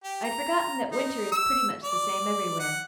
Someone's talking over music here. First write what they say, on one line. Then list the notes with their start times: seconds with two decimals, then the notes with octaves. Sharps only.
I had forgotten that winter is pretty much the same everywhere.
0.04 G4
0.24 A#5
0.92 D#4
1.32 E6
1.84 D5
2.60 F#5